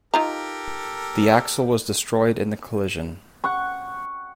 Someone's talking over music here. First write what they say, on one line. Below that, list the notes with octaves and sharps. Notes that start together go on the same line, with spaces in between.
The axle was destroyed in the collision.
D#4 F4 G4 A4 A#4 A#5
F#5 C#6